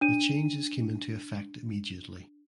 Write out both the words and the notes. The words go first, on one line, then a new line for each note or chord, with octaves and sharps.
The changes came into effect immediately.
D4 D#7